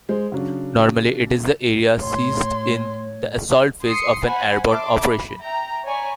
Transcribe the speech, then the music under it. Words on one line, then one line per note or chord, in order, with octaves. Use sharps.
Normally it is the area seized in the assault phase of an airborne operation.
G#3 C5
C#3 F#3 D4
A2 C#5 C6
C6 D#6 C7 C#7
C5 F#5 G#5 B5
E5 A5 C6 D6
B5
E5 G5 A#5
C#5 D5 G#5 A#5 B5 C#6